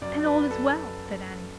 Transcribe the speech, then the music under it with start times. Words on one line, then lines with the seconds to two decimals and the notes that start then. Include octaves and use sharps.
"Then, all is well," said Annie.
0.02 F#2 F#3 D5
0.26 B4
0.51 A4